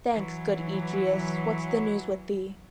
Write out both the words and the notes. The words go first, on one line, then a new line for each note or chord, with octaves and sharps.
Thanks, good Egeus: what's the news with thee?
E3 F#3